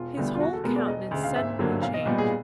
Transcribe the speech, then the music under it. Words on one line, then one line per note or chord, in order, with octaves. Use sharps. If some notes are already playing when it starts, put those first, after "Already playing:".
His whole countenance suddenly changed.
Already playing: E1 F4
D2 D3 G3 B3
F4
E2 F#4
A4
B2 G#3 B3 A#4
D5
E1 D#5
D2 C#3
F5
G#1 E5
G2 D3 F#3 A#3
B1 F5
D#5
A#2 G3 B3 D5
G#4